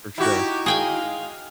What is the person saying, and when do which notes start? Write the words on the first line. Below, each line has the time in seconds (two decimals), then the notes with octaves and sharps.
For sure.
0.18 D#4 E4 F#4 G4
0.66 G#3 G#4 F5 G5 G#5